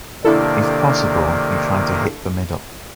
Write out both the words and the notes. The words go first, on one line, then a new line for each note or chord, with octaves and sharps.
If possible, you try to hid the middle.
C3 D#3 A#3 D4 E4 A4 D5